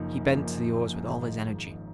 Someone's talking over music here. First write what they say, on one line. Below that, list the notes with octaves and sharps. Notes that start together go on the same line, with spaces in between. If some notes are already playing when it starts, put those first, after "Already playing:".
He bent to the oars with all his energy.
Already playing: F#1 F#2 F3 A#3 D#4
F#1 F#2 F3 A#3 D#4
G#1 G#2 F3